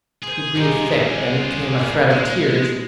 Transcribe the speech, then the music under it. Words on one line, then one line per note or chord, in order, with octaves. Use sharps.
He breathed thick; then came a threat of tears.
G#4 C5 C6
G3 G#3 D#4 F4 G#4
A#2 E3
G#3 E4